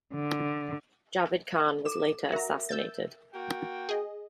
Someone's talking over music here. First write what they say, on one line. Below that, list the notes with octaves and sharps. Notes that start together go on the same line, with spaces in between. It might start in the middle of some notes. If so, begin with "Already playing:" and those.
Javid Khan was later assassinated.
D3
A4 D6 E7
F#4 A#4 E5 A#5
E6 G6 A6
A#3 F#4 G5
G#4 D#5